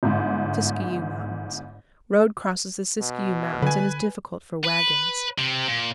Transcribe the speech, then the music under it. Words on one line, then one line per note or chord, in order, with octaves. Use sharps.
Siskiyou Mountains.--Road crosses the Siskiyou Mountains, and is difficult for wagons.
G1 G#2
B2
D3 B4 G#5
B4
C3
A#2